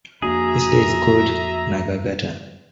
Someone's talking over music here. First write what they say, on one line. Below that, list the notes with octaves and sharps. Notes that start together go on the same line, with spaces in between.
This day is called as "Nagagata".
F2 A#3 D4 F#4 G#4 E5 A#5